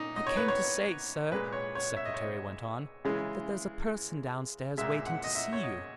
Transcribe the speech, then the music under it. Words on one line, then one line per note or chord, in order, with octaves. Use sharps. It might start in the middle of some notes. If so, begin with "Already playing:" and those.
"I came to say, sir," the secretary went on, "that there's a person downstairs waiting to see you."
Already playing: A#2 D#4
D#5
C#5
B4
C#5
A#2 G#3 B4
C#5
C#5
E5
D#5
C#5
D#5
C#3 E3 G#3
A#2 G#3 E5
F#5
D#5
E5
C#5
D#5